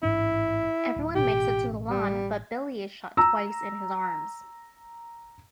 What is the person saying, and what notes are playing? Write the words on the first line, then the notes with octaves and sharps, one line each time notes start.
Everyone makes it to the lawn, but Billy is shot twice in his arms.
A1 G#2 D4 E4
D1
A1 B2 G4
G3
A#5 E6